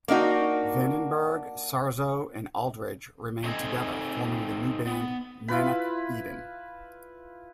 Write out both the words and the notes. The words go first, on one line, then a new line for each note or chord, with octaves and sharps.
Vandenberg, Sarzo, and Aldridge remained together, forming the new band Manic Eden.
A#3 D4 D#4 F#4
A3 C4 D#4 A4 D#5 G#5
B3
E4 F4 B4 B5